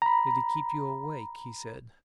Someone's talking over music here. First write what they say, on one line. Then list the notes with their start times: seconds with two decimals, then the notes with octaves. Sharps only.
"Did it keep you awake?" he said.
0.02 A#5 B5